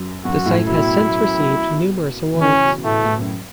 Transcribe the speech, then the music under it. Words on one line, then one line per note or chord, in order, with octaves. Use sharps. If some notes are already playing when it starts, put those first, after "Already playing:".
The site has since received numerous awards.
Already playing: F#2
F#2 F#4
A2
B2 E4
E3
C#3 C#4
B2
A2 A3
A2
F#2